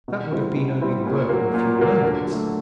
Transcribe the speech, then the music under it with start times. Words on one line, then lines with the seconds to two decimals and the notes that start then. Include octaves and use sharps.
That would have been only the work of a few moments.
0.08 B2
0.31 G3 C4 E4
0.56 B2
0.81 G3 C4 E4
1.06 A#2
1.29 F#3 A#3
1.54 A#2
1.78 F#3 A#3
2.02 D3
2.27 F#3
2.32 A3